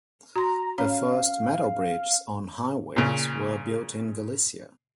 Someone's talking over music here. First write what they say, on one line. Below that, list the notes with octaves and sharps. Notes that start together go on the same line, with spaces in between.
The first metal bridges on highways were built in Galicia.
F#4 A#5 C6
C#4 C#5 F5 A#5
A#2 C#3